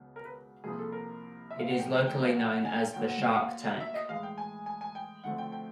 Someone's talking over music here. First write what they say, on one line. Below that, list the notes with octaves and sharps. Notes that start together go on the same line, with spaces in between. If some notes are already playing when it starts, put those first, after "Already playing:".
It is locally known as "The Shark Tank".
Already playing: C#2 B2 F#3 B3
A#4
B4
C2 C3 F3 A#3 G#4
A4
A#4
E5
F5
F#5
A2 F3 A3 G5
G5
G5
F5
F#5
G5
F#5
G#5
G5
D2 D3 F#3 A#3 G5
F#5
F5
F#5
F5
E5
D#5
A2 E3 G#3 F5
G5
G#5
G#5
G#5
G5
D2 D3 F3 A3 C4 F#5
G5
G5